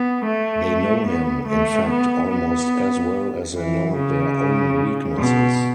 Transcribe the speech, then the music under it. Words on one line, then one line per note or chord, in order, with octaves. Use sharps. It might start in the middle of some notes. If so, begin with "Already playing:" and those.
They know him, in fact, almost as well as they know their own weaknesses.
Already playing: B3
A3
B3
A3
B3
B3
E3
C#3
B2